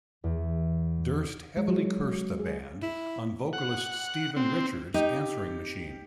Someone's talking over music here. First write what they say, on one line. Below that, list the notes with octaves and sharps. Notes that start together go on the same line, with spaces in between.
Durst heavily cursed the band on vocalist Stephen Richards' answering machine.
E2
G#3
F#3
G#4
E4
F#5
C4
D#4 G4